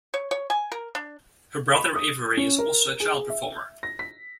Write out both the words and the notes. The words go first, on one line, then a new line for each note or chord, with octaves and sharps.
Her brother Avery is also a child performer.
C#5
C#5
G#5
A#4
D4
B5
D#6
C#4
A#4
G#4
E5
A#6
B6